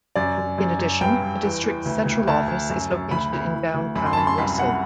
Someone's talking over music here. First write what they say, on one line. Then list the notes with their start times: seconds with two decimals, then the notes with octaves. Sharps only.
In addition, the district's central office is located in downtown Russell.
0.16 F#2 D5
0.38 F#2
0.58 F#2
0.79 F#2
1.01 G2 G5
1.22 G2
1.43 E2
1.64 E2
1.85 D2
2.05 D2
2.27 D2 A5
2.48 D2
2.70 F#2
2.91 F#2
3.11 D2 B5
3.32 D2
3.53 E3
3.74 D2
3.95 F#2 B5
4.06 C6
4.13 A5
4.17 F#2 B5
4.27 C6
4.38 C2 B5
4.58 C2 F#5